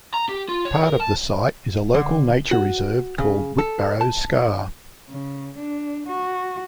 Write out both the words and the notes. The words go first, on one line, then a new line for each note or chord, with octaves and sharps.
Part of the site is a local nature reserve called Whitbarrow Scar.
A#5
G4
F4
C#5
A#4
A5
D3
F#4
C#3
A4
A5
C#3
D4
F#4